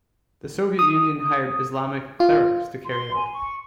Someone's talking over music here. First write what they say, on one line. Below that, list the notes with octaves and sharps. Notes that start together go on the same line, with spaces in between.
The Soviet Union hired Islamic clerics to carry out.
D#6
F4
C6
G#5
C#6